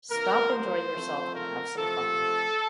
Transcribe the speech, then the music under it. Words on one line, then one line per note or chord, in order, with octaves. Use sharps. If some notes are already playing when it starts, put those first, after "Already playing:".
"Stop enjoying yourself and have some fun".
C3 E3 A#3 A#4
C5
F3 A3 C4
A#4
C3 F3 A3 A4